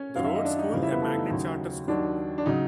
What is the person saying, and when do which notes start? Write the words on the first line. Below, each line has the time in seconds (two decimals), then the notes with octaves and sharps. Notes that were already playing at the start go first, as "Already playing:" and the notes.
The Rhodes School, a magnet charter school.
Already playing: C#4 C#5
0.16 F#2 D#3 F#3 F5
0.25 E5
0.35 D#5
0.45 D4 D5
0.59 D#4 D#5
0.73 F2 C#3 E3 G3 F4 F5
0.82 E4 E5
0.92 B3 B4
1.02 A3 A4
1.16 D#4
1.30 D#2 C#3 F#3
1.88 D#2 D#3 F#3 D4
2.38 D4
2.46 C#3 F#3 D#4